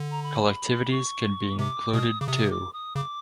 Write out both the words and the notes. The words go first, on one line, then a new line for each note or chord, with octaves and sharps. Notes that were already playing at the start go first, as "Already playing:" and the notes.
Collectivities can be included too.
Already playing: D3
A#5
B5
C#6
C3 D6
B2 D#6
C#3 D6
C3 D#6
D6
D#6
C#3 D6